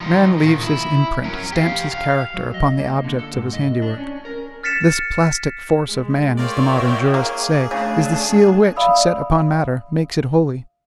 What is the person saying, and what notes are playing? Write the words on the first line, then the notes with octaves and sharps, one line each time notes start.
Man leaves his imprint, stamps his character, upon the objects of his handiwork. This plastic force of man, as the modern jurists say, is the seal which, set upon matter, makes it holy.
F3 D#4
A#2 D#3
E4
C#4 A#4
G4 F5
F5
F#3
D#5
A#3
D3
A4
G#2
D#5
D4
C#4
A#4
F6 A6 B6 C#7 E7
G#3
F4 A#4 C#5 D5 E5 G5
A#3 G#4
C#3 A3 D4 A5
D5 E5 F5 B5 D#6 E6